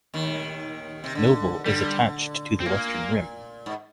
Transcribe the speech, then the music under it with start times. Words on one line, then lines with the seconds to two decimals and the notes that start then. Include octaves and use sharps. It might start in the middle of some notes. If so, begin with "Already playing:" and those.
Nobile is attached to the western rim.
0.14 D#2 D#3
1.04 C3
1.15 D3
1.66 D3 G3
2.60 C4
2.66 A#2 A#3
3.66 G#2